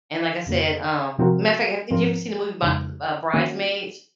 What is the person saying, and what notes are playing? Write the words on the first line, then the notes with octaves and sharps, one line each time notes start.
and like I said, um matter of fact, have did you ever see the movie, My Th uh, Bridesmaids?
F2 C#3 F#3 A#3
C3 F3 C4 F#4 A#4
G#2 F3 C4 F4 A#4
F2 C#3 G#3 D#4
D#3 A#3 C#4 F#4